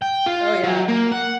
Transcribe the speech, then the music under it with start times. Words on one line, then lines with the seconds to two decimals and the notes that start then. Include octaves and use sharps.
Oh, yeah,
0.02 G5
0.26 F4
0.63 F#3
0.88 A#3
1.12 F#5